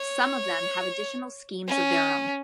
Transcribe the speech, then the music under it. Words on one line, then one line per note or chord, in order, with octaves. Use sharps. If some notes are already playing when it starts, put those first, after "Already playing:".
Some of them have additional schemes of their own.
Already playing: C#5
C#4